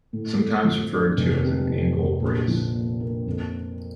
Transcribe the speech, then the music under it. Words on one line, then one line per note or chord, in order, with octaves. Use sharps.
Sometimes referred to as an angle brace.
A2
A3
F3
D4
F1
C3
F2
F1
A#1
F3
A#2
A#3
F2